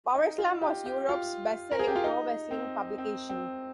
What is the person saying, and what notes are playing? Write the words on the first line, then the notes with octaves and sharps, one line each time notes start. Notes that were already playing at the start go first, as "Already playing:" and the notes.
"Power Slam" was Europe's best-selling pro wrestling publication.
D#4
F4
G4
G4
F4
A#4
G#4
G4
F4
D#4
C4
C4
C4